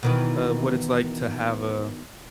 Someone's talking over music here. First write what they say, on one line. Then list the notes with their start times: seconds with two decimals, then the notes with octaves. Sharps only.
a what it's like to have a
0.03 B2 D#3 E3